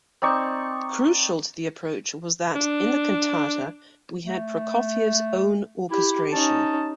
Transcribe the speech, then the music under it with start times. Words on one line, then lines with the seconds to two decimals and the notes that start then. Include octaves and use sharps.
Crucial to the approach was that in the Cantata we had "Prokofiev's own orchestration".
0.22 C4 D#4 D5 C#6
2.55 D4
4.26 A3
5.90 E4 G4
6.32 C#4 D#4 A5